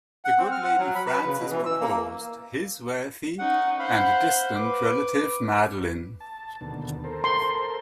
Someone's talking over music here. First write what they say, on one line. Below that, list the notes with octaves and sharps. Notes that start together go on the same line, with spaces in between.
The "good lady" Francis proposed: his wealthy and distant relative Madeleine.
F#5
C4
F6
F#5
F#3
B5
B4
C#3
B2
E3
E6
A#3
C#4 D#4 F#5
C5 F5 F#5 B5
B4 D6
A5
D#2 B2 D3
A4 A#4 C5
C6